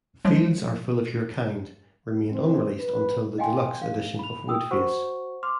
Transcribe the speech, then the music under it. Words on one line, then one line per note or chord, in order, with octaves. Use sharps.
"Fields are Full of Your Kind" remained unreleased until the deluxe edition of "Woodface".
F3 F#3 G#3
C4
B4
D#5 F5 G5 G#5 C6
F5
B5 F7
G5 D#6 E6
F#4 C5 F#5 C#6
C6 D6 F6